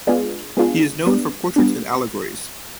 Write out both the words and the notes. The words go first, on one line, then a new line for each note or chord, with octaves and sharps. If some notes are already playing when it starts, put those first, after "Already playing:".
He is known for portraits and allegories.
G#3 B3 D4 F4 G#4
G#3 B3 D4 F4 G#4
G3 B3 D4
G3 B3 D4